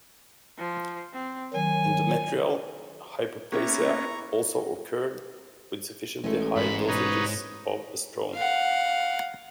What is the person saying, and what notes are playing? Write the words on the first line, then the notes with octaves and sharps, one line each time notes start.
Endometrial hyperplasia also occurred with sufficiently high dosages of estrone.
F3
C4
D#3 F#3 G#5
A#3 B3 C#4 E4 G4 A#5 C#6
A1 G#3 A3
G#2 B5
B2 D#4 B4 C#5
F5 F#5